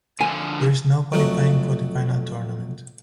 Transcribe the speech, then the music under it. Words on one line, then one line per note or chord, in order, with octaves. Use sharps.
There is no qualifying for the final tournament.
D3 F3 G#5
F2 F#3 A3